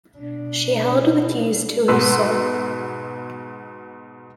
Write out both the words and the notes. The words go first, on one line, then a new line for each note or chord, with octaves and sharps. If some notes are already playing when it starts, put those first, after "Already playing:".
She held the keys to his soul.
B2 D4
G#2 B2 B4 C6 E6